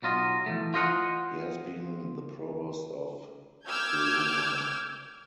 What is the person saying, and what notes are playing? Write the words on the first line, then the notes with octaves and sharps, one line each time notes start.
He has been the provost of Virumaa.
B1 F#3 F4 D#5 F5
E3 F3 A3
F4 C5 D#5 F5 F#5
D6 E6 F6 G6 G#6